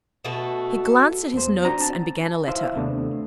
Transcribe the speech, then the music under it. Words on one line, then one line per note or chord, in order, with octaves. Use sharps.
He glanced at his notes and began a letter.
B2 A3 F#4 A4
E2 B3 C5
C4 D4 F#4 A#5
A5
E4 C5 E5 F5
D#2 C3 A3 B3 D4